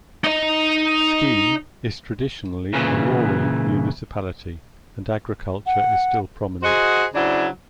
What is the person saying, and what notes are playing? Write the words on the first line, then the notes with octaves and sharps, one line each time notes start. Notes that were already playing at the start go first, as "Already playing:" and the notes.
Ski is traditionally a rural municipality, and agriculture is still prominent.
D#4 D#5
A#2 C#3 E3
F#5
F#4 G#4 C5 D#5 F#5
C#3 F#3 D4 E4 C5